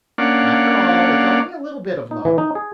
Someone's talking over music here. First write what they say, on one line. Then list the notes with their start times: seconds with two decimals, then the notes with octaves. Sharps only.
After all, it's only a little bit of love.
0.18 A#3 C#4 D4 D5 F5 F#5
2.11 D#4
2.25 E3
2.38 D#4
2.55 G#4